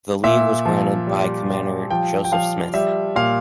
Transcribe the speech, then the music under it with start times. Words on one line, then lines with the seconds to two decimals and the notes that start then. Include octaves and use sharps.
The leave was granted by Commander Joseph Smith.
0.23 A#2 E5
0.65 F3
1.07 G3
1.48 G3
1.90 F3 G5
2.25 G5
2.32 F3 F5
2.74 G3 E5
3.16 A#2 F5